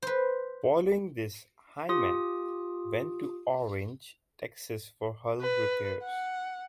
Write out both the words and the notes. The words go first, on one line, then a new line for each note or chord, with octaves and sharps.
Following this, "Hyman" went to Orange, Texas, for hull repairs.
B4 C5
F4 G4 D#6
B4
F#5